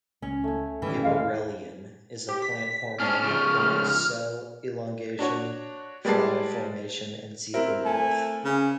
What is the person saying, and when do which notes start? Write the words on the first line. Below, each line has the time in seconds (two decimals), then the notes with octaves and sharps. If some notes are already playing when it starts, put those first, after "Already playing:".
Gibberellin is a plant hormone that promotes cell elongation, flower formation, and seedling growth.
0.22 C#2 C#4
0.44 A3 G#5
0.82 G#2 D#3 E3 G3 C#4
1.04 E1 D#2 G#3 F5
2.29 G4
2.42 B6
3.00 C#4 D4 F6
3.23 C#3 F3
5.19 D4 F#4 C#5
6.05 G3 G#3 B4 D5 A5 C7
7.54 C4 E4 A#4
7.85 A3 G#5
8.44 C#3